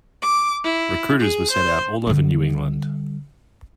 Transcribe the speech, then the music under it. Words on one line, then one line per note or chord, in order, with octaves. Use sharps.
Recruiters were sent out all over New England.
D6
E4
G#4
C5
D3 G3